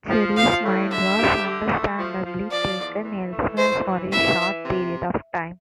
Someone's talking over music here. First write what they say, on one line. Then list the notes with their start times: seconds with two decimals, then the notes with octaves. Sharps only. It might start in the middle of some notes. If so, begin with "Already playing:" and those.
Jerry's mind was understandably taken elsewhere for a short period of time.
0.10 F3
0.37 F3 F5
0.63 A2
0.91 D3 E5
1.17 G4
1.44 D3
1.71 A3
1.98 F3
2.25 F3
2.51 F3 D5
2.78 E2
3.05 E3
3.32 A3
3.57 E3 C5
3.85 E3
4.11 E3 E5
4.38 E3
4.65 C3